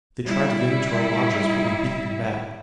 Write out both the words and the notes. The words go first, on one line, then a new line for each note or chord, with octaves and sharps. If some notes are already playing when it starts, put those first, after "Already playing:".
They tried to get into our lodges, but we beat them back.
G3 E4